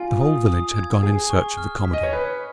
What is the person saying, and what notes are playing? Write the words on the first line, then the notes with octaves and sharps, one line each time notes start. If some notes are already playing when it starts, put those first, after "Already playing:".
The whole village had gone in search of the commodore.
Already playing: F4 G#5
D#6
D#6
G#6
G#4 G#5
C#6
F6
B6
D#5
C#5
B4 C#6